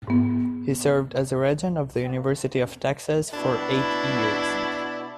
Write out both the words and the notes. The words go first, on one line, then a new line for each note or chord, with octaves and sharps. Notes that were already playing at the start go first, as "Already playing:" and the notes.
He served as a regent of the University of Texas for eight years.
G#2 B3
B2 D4 E4